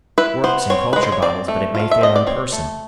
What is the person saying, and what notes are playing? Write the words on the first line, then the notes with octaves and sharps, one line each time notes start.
It works in culture bottles, but it may fail in person.
E4 B4
B3 C5
C4 C#5
G#3 B4
C5
C#5
C4 D5
A3
F4
F5
E5
C4 D#5
D5
C4 C#5
A3